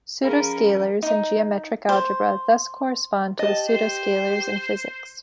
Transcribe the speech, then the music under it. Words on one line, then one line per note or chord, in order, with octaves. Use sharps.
Pseudoscalars in geometric algebra thus correspond to the pseudoscalars in physics.
F3 C#4 G#4 A#4 F5 B5
D#4
C5
G4 D#5 A5
G4 C5